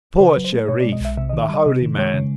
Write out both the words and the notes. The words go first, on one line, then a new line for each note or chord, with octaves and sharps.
Poor Shereef!—the holy man!
C#3 C5
B4
F#3
C5
A3
B2 C#5
D5
G#3
D#5
B1 E5
C3 E5
D#5
D#3
E5
G3 D#5
C3 D#5
D#3
G#3 C#5
C#3